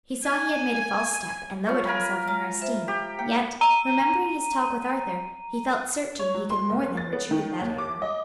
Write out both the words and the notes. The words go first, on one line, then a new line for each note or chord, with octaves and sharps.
He saw he had made a false step and lowered himself in her esteem, yet, remembering his talk with Arthur, he felt certain he could more than retrieve that error.
G#5
A3 F4 C#5 C#6
A#4 G#5 B5
G#3 A#5 F6
C5 E5
G4
A#3 G5
A#5 D#7
C#5
F#3
C6
F#1
A6
B3
D#3
D#2
D6
D#5